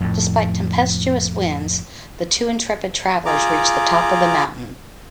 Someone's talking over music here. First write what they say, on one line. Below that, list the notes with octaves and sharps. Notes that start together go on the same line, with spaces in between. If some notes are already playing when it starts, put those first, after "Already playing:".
Despite tempestuous winds, the two intrepid travelers reach the top of the mountain.
F2 A2
F4 G#4 A#5 D6